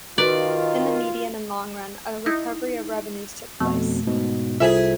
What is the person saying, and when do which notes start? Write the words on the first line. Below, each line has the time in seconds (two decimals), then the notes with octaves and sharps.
In the medium and long run, a recovery of revenues took place.
0.18 D#3 F4 F#4 B4 D5
2.26 D#4 E4
3.60 F2 B2 A3
4.07 G#2 B2
4.60 C2 F4 G#4 A4 C5 E5